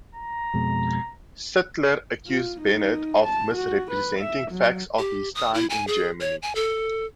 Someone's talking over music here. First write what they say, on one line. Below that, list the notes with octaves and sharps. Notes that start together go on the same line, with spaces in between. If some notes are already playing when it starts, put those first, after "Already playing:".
Sittler accused Bennett of misrepresenting facts of his time in Germany.
A#5
F2 B2 G#3
F4
D#4
A5
F#4
B4
E5
F#3
G4
D#6
E4
G#5
G#4
C#5
G#5
A4